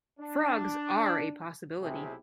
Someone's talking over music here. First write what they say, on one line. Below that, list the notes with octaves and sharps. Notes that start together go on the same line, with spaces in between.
Frogs are a possibility.
D4
B1 C3 A3 E4 G4 G#4